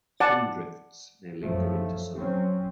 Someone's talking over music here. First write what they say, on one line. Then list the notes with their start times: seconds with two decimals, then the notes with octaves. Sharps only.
Some drifts may linger into summer.
0.20 D5 F#5 A5
1.43 F#2 F3 A3
2.16 F#3 C4 C#4